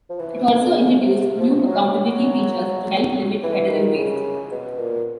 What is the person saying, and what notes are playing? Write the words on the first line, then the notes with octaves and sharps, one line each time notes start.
It also introduced new accountability features to help limit federal waste.
F3
E3
D3
C#3
C3
F3
F#3
F3
F#3
F#3
E3
D#3
C#3
B2
A#2